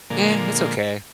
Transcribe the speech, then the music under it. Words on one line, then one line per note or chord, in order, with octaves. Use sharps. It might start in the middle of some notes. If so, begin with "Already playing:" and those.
Yeah, it's okay.
A#2 D3 F3 G#3 A#3